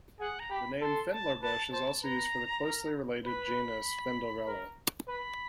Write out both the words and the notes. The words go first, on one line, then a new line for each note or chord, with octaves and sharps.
The name fendlerbush is also used for the closely related genus "Fendlerella".
G#4 F#5
A#5
G4 B5
A4 C6
A5
B4 A5
C5 A5
B4 A#5
A#4
B4 B5
A#4
B4 B5